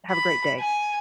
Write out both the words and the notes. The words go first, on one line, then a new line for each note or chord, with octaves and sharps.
have a great day.
B5
G#5